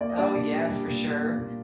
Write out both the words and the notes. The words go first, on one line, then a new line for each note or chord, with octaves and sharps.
Oh, yes, for sure.
A#3 D5
D#5
G3 D4 D5
A#2
G3
G3
A#2
G3
A#3
A#2